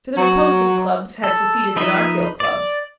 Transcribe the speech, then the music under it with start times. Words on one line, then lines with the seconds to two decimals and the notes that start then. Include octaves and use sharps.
To the republican clubs had succeeded monarchical clubs.
0.17 F#3
1.24 A4
1.76 F3 D#4 B4 D#5 E5
2.40 D5